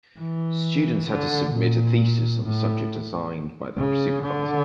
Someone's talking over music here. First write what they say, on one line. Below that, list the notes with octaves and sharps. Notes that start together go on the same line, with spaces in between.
Students had to submit a thesis on a subject assigned by their supervisor.
E3
D3
A#2
A2
C#3
D3